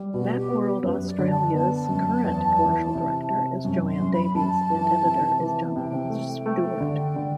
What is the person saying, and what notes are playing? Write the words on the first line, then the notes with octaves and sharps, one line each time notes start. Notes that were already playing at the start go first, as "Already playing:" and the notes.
"Macworld Australia"'s current Commercial Director is Joanne Davies and Editor is Jonathan Stewart.
Already playing: G3
B2 F#4
G4
B3
G4
F#2 B4
D5
D3
A5
B3 A5
F#2
E2
E3
C3
C3
F#2
C6
F#2
B5
F#2 A5
E3
C3
E3
C3 G5
A3
A3
D3
D3